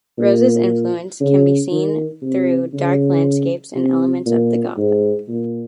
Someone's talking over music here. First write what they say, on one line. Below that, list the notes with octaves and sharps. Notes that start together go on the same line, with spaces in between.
Rosa's influence can be seen through dark landscapes and elements of the Gothic.
A#2
C#3
D#3
C3
C#3
C3
A#2
G#2
A#2